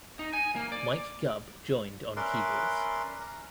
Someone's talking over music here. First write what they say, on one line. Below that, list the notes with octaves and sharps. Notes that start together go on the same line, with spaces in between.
Mike Gubb joined on keyboards.
D#4
G#5
A#3
D5
C#4 A#4 B4 D5 E5 C6
A#5